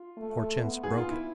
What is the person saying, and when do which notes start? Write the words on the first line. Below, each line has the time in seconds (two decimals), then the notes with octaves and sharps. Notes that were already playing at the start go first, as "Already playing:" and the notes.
Hortense broke it.
Already playing: F4
0.17 A3
0.63 B3
0.83 G#4
0.97 F4
1.11 E4